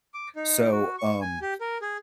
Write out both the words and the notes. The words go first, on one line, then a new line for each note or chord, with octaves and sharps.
So, um,
D6
D#4
F#4
C#6
G#5
G4
A#4
G#4